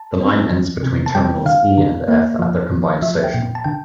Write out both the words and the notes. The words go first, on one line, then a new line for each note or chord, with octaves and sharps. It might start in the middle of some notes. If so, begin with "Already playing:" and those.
The line ends between terminals E and F at their combined station.
Already playing: A5
C4
F3
C3
A5
G3 G5
D3 F5
D3
A#3
F3
F3
F3 E5
G5
A#2
A5
D3 G5